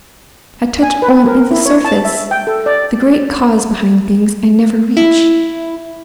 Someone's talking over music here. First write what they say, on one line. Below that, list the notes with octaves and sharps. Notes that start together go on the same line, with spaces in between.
I touch only the surface. The great cause behind things I never reach.
G#5
B4
A#4
E4
C#5
A5
E5
G5
A4
D5
E4